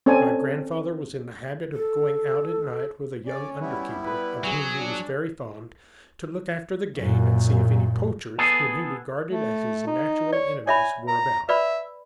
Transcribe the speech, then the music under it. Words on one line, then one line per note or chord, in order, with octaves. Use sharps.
My grandfather was in the habit of going out at night with a young under-keeper, of whom he was very fond, to look after the game and see if any poachers, whom he regarded as his natural enemies, were about.
C4 C#4 A4 C#5 D5 G#5
A4
C#4 D5
G3 B3 E4
B4
F#3 G#4
D4
F#2 A#2
B3 G#4 A4
A3
D#4
C#5 D5
C#5 E5 G#5 B5
A#5
B4 D5 E5 B5